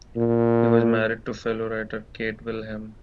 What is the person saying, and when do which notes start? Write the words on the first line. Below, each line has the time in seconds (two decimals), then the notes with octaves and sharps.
He was married to fellow writer Kate Wilhelm.
0.16 A#2